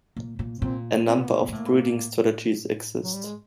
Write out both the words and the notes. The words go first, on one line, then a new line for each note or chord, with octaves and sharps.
A number of breeding strategies exist.
A#2
A#2
A#2 C4
C4
B3
A#3
B3
A#2
A2 A#3
F#3
G3
G#3